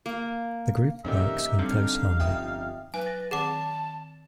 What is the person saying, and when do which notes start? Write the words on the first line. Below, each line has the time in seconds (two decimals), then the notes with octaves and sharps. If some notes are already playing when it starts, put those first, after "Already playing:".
The group works in close harmony.
0.06 A#3
1.05 F2 A#2 D#3 C#4 D#4 G4 E5
1.59 D3 G3 C4 F5
2.20 G1 F2 E5 G5 D#6
2.94 F#3 B4 G#5
3.06 A6 A#6
3.31 D#3 G#4 F#5 A5 D6 A6